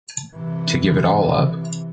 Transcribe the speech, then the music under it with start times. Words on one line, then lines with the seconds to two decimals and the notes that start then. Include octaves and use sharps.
To give it all up.
0.35 C3 E3